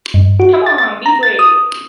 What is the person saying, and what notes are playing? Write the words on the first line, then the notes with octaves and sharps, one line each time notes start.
Come on, be brave!
G2
F#4
A6
A6
A#5
A6
D#6